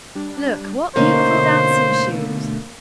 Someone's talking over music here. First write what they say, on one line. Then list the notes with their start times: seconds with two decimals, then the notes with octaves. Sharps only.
"Look, what beautiful dancing shoes!"
0.15 G3 D4
0.96 B2 D3 A3 A#3 C#4 D#4 C5